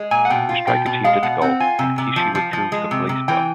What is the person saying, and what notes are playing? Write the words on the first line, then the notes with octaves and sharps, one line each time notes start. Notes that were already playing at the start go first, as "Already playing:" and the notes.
The strike achieved its goal, and Kishi withdrew the police bill.
Already playing: G#3
A#2 G#5
F#5
B2 G5
F4
B2 G5
B2
G#3 F5
B2 F#5
C4 F#5
F4 G#5
C3
C3
F3
F3
F3
G#3
C3
C3
E3 G5